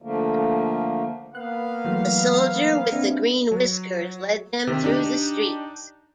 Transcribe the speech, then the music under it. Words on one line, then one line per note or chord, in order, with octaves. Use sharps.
The Soldier with the green whiskers led them through the streets.
D3 F3 A3 A#3
A#3 B3 F5 F#6
E3 F#3 A3
C4 D4 E5
F#3
C3 D#3
D4 D#4 G4